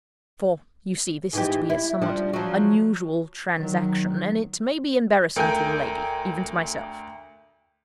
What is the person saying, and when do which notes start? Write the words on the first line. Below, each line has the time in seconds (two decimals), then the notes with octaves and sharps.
For, you see, this is to be a somewhat unusual transaction, and it may be embarrassing to the lady, even to myself.
1.33 G#2 E3 G4
1.70 E4
2.02 F3 G3 D4
2.33 F3 F#3
3.56 D#3 F#3
5.36 D2 A#4 G5 G#5 G6